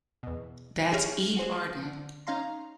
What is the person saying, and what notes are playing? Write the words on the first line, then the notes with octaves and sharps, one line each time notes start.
That's Eve Arden.
E2 B2
G4 G#4 C#5 F6
F#4 G#4 C5
D3
C#4 D#4 F5 A#5 C6